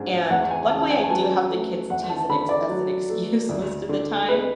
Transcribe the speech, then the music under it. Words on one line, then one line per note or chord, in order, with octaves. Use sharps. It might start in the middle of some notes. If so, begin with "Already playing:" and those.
and luckily, I do have the kids to use as an ex as an excuse most of the time.
Already playing: G#2 D4
E2 F#5
G#5
C#3 A5
G#5
A5
F#3 G#5
A3
E2 F#5
A5
D3 B5
D5
F#3
A3
D2
D3
G#3 B4